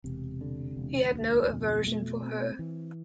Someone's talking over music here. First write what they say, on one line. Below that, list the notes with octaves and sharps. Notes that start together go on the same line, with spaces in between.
He had no aversion for her.
E1 C3
D3
E1
D2
F2 B2
A3
C4
E3